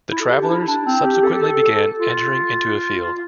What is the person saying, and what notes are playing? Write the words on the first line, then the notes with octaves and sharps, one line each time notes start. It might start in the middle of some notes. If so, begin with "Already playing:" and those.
The travellers subsequently began entering into a field.
E4
A4
G4
D4
E4
E4
D4
C4
G4
A4
A4
A4
F4